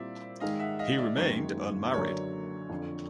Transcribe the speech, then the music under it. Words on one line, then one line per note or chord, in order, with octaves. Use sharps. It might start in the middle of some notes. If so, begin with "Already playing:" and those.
He remained unmarried.
Already playing: A#2 G3 C4 E4 G4 D5 E5
G#2 D#3 G#3 D#5 F5
E5 F#5
D#5 F5
D5 E5
F#1 F#2 D#3 G#3 C#4 C#5
F#2 D3 F#3 A#3 D4 C#5
F2 D3 F3